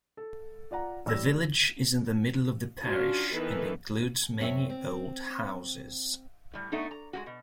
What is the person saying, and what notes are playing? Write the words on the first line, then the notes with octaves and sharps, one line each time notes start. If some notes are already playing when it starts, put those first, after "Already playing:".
The village is in the middle of the parish, and includes many old houses.
A4
F4 D5 F#5 A#5
A1 D5 E6 A#6
F#3 C#4 D4 F4 F#4
D#3 E3 B3 A4 B4
F#2 C4 D4 F#4 C#5 E5
C4
A2 G3
A3 B3 D4 D#4
A#5
G#3 A#3 F#4
B2